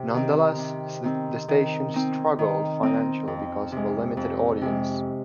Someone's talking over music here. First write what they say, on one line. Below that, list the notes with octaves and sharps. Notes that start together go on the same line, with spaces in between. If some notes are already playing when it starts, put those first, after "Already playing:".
Nonetheless, the station struggled financially because of a limited audience.
Already playing: C3
D#3 C4
C3
D#3 C4
D#3
C4 D#4
D#3
C4 D#4
F2
C3 G#3
F2
C3 G#3